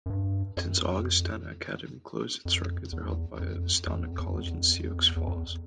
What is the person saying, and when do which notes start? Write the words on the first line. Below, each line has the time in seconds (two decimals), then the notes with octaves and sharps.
Since Augustana Academy closed, its records are held by Augustana College in Sioux Falls.
0.06 F#2
0.10 G2
0.57 F2
0.68 F#2
0.79 F2
2.45 F2
2.93 E2
3.40 F2
3.87 E2
3.95 F2
4.02 E2
4.11 F2
4.19 E2
4.27 F2
4.34 E2
4.42 F2
4.50 E2
4.58 F2
4.67 E2
4.74 F2
4.83 E2
4.91 F2
4.99 E2
5.16 E2
5.28 F2
5.36 E2